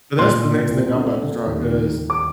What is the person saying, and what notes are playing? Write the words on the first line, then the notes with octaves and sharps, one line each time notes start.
but that's the next thing I'm about to try 'cause
A#2 C6
A#2
C2
D3
D3
D#2
D#3
D#3
D6